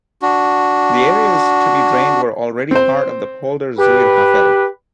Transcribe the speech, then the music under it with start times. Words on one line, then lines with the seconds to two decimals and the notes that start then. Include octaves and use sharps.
The areas to be drained were already part of the polder Zuid Haffel.
0.22 D4 F#4
2.71 C4 C5
3.78 G4 B4